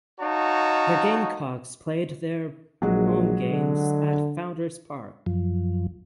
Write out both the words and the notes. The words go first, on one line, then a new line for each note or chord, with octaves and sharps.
The Gamecocks played their home games at Founders Park.
D#4 F#4 C#5 F5 A5
A#1 F#3 G#3 F#4
D3
F#2 F3